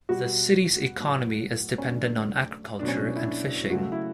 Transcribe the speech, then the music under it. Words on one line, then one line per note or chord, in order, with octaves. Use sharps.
The city's economy is dependent on agriculture and fishing.
B2 G3 F#4
A2 F#3 A3
C#4
D3 F#3 A3 D4
B2 F#3 A3 D4
C#4
D4
E4
D4
C#3 F#3 A3 F#4
E4